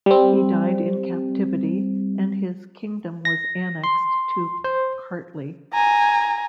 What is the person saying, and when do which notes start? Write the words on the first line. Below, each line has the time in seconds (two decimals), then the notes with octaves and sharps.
He died in captivity and his kingdom was annexed to Kartli.
0.06 G3 C4
3.25 A#6
3.84 C6
4.64 C5
5.73 G#5 A#5